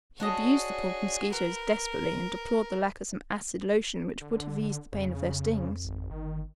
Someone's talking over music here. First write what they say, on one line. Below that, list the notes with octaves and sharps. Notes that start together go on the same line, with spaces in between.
He abused the poor mosquitoes desperately, and deplored the lack of some acid lotion which would have eased the pain of their stings.
D4 F#4 G#4 C#5 D#5
A#4 B4
D3
F2 C#3
G#1
G1 D#3